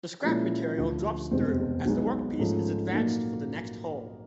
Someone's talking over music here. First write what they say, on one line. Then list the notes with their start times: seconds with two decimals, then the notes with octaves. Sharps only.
The scrap material drops through as the workpiece is advanced for the next hole.
0.24 A#2 F3 G#3 C#4 E4
0.78 D2 D3 F3
1.31 F1 E2 B2 G#3 C4
1.85 B1 B2 G#3 B3 D#4
2.39 G#2 F3 A3 C#4
2.93 A#2 F#3 A#3 D#4